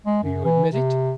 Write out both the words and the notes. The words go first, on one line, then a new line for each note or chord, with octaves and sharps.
Do you admit it?
G#3
F#2
E3
C3